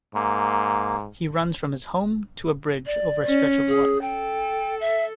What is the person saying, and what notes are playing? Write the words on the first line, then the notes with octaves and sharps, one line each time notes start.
He runs from his home to a bridge over a stretch of water.
G#2 A#3
D5
C#4
G#4
A4 G5
E5